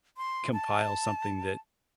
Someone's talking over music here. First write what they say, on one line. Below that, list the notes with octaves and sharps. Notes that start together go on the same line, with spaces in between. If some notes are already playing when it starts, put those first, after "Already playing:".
compile something that,
C6
A5